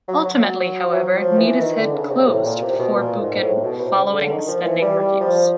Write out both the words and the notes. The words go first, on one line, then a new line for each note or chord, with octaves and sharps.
Ultimately, however, Neatishead closed before Buchan following spending reviews.
F#3
F#3
F3
F#3
F3
E3
D#3
D3
C#3
C3
A2
A#2
C3
B2
A#2
G#2
A2
B2
C3
C#3
D3
D3
D#3
F3
E3
G3
G3
F3